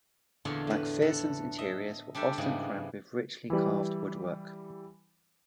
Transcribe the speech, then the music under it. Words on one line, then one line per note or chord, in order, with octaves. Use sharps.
MacPherson's interiors were often crammed with richly carved woodwork.
E2 A#2 D3 F4 C#5 F5
A2 B4
A4 F#5
D#5 E5
G3 D4 G4 A4 E5
G#2 C#3 E3 G3 B3
E3 G3